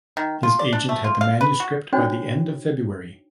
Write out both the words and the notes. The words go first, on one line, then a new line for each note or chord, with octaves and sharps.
His agent had the manuscript by the end of February.
D#3
F4
D5
D4
A3
F4
F5
B4
F#4
D4 D#4 F#4 C5 C#5 G5